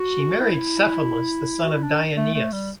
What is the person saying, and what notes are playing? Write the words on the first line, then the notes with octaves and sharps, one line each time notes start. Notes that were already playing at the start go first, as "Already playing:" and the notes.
She married Cephalus, the son of Deioneus.
Already playing: F#4
E4
F#4
E4
D4
A3
A3
G3